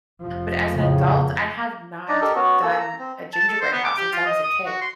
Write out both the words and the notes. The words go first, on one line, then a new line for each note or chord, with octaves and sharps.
But as an adult, I have not done a gingerbread house since I was a kid.
F1 F3 A3
E2 A2 C#3
D4 D#4 D5 A#5
G4 A4 A#4 D#5
B3 C#4 F#4
A#3 A4 E6
A#5
C4
A5
A4
C5
B3
D6
G4
F4
D#5
D#6
F#4
C6